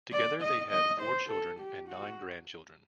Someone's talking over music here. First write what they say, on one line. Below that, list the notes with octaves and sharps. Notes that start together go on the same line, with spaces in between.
Together they had four children and nine grandchildren.
D5
D#5
D#5
C5
A4
G4
F#4